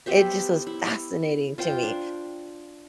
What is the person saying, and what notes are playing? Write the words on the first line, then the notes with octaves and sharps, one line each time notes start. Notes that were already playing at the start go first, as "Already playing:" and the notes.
it just was fascinating to me.
B3 G4 C5 E5
E4
F4 C5 G5
D4